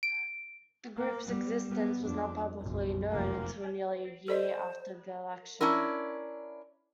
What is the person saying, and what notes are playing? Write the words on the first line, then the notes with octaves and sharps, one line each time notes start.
The group's existence was not publicly known until nearly a year after the election.
D7
A#3
G3 B3
G3 B3
F2 D4
F#1 B1
F1 A#3
A4 C5 D5 D#5
C#4 D4 E4 A#4